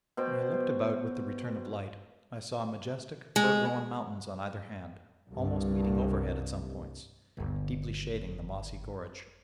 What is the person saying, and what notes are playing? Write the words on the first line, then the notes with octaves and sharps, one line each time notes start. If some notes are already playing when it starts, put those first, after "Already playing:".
When I looked about with the return of light I saw majestic fir-grown mountains on either hand, almost meeting overhead at some points, deeply shading the mossy gorge.
B2 C5 G5
G#3
C2 G2
G1 D#2